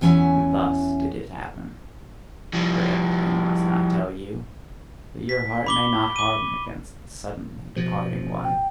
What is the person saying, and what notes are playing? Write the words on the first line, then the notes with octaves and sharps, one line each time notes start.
And thus did it happen--for everything must I tell you, that your heart may not harden against the suddenly departing one!
E2 F#3 C#4 C#5 E5 G#5
F3 G3
B6
B5 D6 G7
D6 D#7
B2 F3
G5